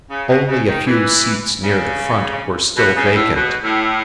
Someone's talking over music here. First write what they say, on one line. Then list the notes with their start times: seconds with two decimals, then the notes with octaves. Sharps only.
Only a few seats near the front were still vacant.
0.10 C#3
0.29 B2
0.48 C#3
0.67 D#3
0.86 E3
1.62 C#3
2.77 B2
2.96 C#3
3.15 A2
3.34 B2
3.63 A2